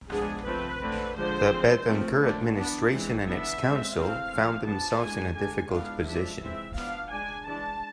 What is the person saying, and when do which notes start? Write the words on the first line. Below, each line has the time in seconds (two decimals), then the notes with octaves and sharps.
The Betancur administration and its council found themselves in a difficult position.
0.10 F3 G#3 B3 D4 G#4
0.46 F3 A3 C4 B4
0.81 D3 A3 C4
1.16 D3 F3 G#3 C5
1.51 F3 G#3 C4
1.86 F3 A3 C4
2.22 D3 A3 D4
2.56 E3 B3 D4
2.91 E3 G#3 C4
3.26 E3 B3 D4 E5
3.61 G#3 C4
3.96 E3 A3 C4 F5
4.31 F3 A3 C4
4.66 F3 B3 D4 A5
5.01 E3 G#3 D4 G#5
5.36 D3 G#3 D4 G#5
5.71 E3 G#3 B3 D4 F5
6.06 F3 G#3 D4 E5
6.41 E3 G#3 C4 E5
6.76 F3 B3 D4 F5
7.11 G#3 D4 G#5
7.46 E3 G#3 D4 A5